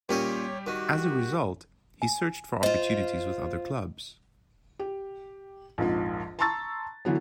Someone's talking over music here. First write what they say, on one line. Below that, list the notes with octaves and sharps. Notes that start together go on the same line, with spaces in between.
As a result, he searched for opportunities with other clubs.
A#2 G3 C#4 G4 C#5 D#5
D#3 F#4
G#5
F4 C5 D#5
G4
A#1 F2 G#2 F3
A5 A#5 C6 C#6 E6 A6
D3 E3 F#3 B3